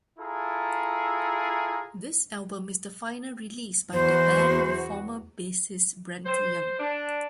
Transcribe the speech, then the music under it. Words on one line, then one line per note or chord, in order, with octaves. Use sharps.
This album is the final release by the band with former bassist Brent Young.
E4 F4 G#4 A4 A#5
E2 F#4 C5
C5
D4